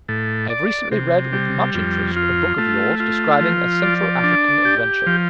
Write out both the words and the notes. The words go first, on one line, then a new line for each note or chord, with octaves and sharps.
I have recently read with much interest a book of yours describing a Central African adventure.
A2
D5
C3
G3
F2
F4
A3
F4
F3
D5
D4
G4
F3